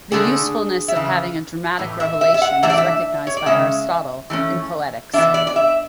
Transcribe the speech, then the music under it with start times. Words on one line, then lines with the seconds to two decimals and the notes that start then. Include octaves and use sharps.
The usefulness of having a dramatic revelation was recognized by Aristotle, in "Poetics".
0.12 D3 A3 D4 G#4
0.88 E5
0.95 C#3 E3
1.79 A2 E3
2.00 E5
2.21 E5
2.34 E5
2.42 F#5
2.63 E3 A3 D4 E5
2.70 D5
2.78 E5
3.27 C#5
3.37 D5
3.46 C#3 G#3 C#4 E5
4.30 E3 A3 C#4
5.13 E3 B3 D4 E5
5.34 D5
5.47 D5
5.56 E5